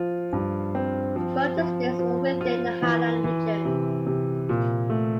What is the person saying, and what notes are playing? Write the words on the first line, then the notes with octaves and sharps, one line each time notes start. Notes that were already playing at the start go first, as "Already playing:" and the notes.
Both districts were within the Highland region.
Already playing: F3 F4
G2
C4
F3
F3
F3
F4
E3
E3
C3
C3
A#2
A3